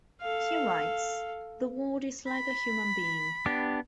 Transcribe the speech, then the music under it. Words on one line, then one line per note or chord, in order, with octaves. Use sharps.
He writes, The world is like a human being.
A4 F5
B5
B3 D4 G4